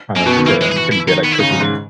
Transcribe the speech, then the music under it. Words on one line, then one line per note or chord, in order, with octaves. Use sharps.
kind of say I'm pretty good at cooking,
F#2 A#3
B2 A#3
B3
D#3
E3 A#3
G#3
G#4
F#4
E4
D#3 D#4
B3
E4
C#3 D#4
G#2
G#2